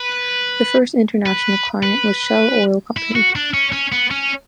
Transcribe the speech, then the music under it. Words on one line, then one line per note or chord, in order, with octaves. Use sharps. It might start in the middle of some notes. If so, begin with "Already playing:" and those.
The first international client was Shell Oil Company.
Already playing: B4
B4
B4
E4
F#4
D4
C#4
C#4
B3
C#4